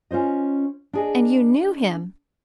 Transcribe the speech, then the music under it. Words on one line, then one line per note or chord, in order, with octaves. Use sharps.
And YOU KNEW HIM.
C#4 F4 C5 D#5
D4 G#4 D#5